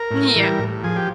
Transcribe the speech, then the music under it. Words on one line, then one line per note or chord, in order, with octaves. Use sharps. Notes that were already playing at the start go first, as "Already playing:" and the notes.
Mm. Yeah,
Already playing: A#4
A2
E3 G3
A2
F3 G#4
G4